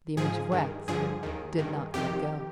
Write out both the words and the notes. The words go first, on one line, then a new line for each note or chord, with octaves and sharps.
The image of wax did not let go.
G#2 F3 G#4
G2 D#3
G2 D3 F3 G#4
D#2 D#3
G2 D#3
F2 C3 D#3 G4